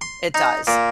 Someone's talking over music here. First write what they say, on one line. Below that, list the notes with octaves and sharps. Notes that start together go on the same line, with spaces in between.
it does.
C6
D#4
A#2